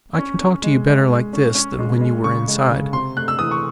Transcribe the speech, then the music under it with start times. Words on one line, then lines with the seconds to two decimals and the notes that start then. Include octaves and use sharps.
I can talk to you better like this than when you were inside...
0.18 C#4
0.41 C#4
0.63 G#3
0.87 G#3
1.09 G#3
1.33 C#4
1.55 C#4
1.79 G#3
2.01 G#3
2.24 C#3 C#6
2.48 G#3
2.71 C#3
2.93 C3 C6
3.17 A3 F#6
3.28 E6
3.39 E3 D#6
3.51 C#6